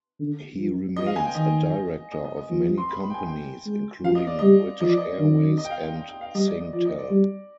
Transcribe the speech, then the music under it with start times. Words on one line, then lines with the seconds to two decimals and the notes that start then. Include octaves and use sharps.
He remains a director of many companies, including British Airways and SingTel.
0.19 D3
0.58 F3
0.96 F3 D#5
1.06 F5
1.16 G#5
1.25 G5
1.35 D#3 D#5
2.12 D#5
2.24 D#5
2.37 D#5
2.50 F3
2.78 C6
2.89 B5
3.01 B5
3.10 G5
3.14 G#5
3.27 G5
3.66 G#3
4.03 F3 F5
4.15 D#5
4.27 D5
4.39 G3 D#5
4.80 F3 D#5
4.89 D5
4.97 D#5
5.19 D#3
5.57 D#5
5.65 G5
5.70 F5
5.83 G5
5.96 G5
6.09 G5
6.21 F5
6.35 G3 D#5
6.47 D5
6.60 D#5
6.73 F3 D5
6.85 D#5
6.98 D5
7.11 G3